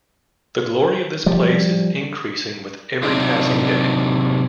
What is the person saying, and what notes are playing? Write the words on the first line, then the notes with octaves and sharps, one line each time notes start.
The glory of this place is increasing with every passing day.
F3 G3
C3 F#3 C4 D4 D#4 F4